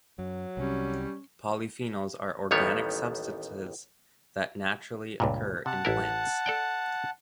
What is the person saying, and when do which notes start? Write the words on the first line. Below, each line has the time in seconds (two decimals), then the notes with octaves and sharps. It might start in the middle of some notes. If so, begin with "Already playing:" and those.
Polyphenols are organic substances that naturally occur in plants.
0.19 F#2 F#3
0.57 C2 C3 G3 C#4
2.51 A1 D#2 D#3 G3 B3 C#5
5.20 C#2 G2 A#2
5.66 C3 F#5 A5
5.85 A1 E4 A#4
6.46 A4 D5 G5